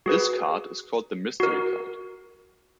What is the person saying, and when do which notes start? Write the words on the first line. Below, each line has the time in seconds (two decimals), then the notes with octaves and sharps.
This card is called the mystery card.
0.06 F#4 G#4 B4
1.40 F#4 A#4